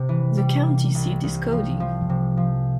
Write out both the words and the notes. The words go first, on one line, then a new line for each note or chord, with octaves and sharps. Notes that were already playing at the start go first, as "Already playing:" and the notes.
The county seat is Cody.
Already playing: C3
E3
G3
A#3
C2
C2
F3
F3
C3
F3